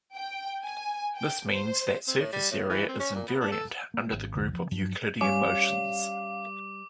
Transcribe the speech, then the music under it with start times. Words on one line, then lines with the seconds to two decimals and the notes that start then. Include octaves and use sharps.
This means that surface area is invariant under the group of Euclidean motions.
0.16 G5
0.64 G#5
1.16 G5
1.49 C5
2.08 C4
2.20 A2
2.32 G3
2.51 A2
2.69 E3
2.89 C4
3.00 C#4
3.15 A#2
3.28 B3
3.41 D4
3.52 A4
3.94 A#3
4.12 G#1
4.35 C2 F2 D3
4.53 F3
4.71 G2 F3 F#3 D4
5.21 G3 C#4 F5 D6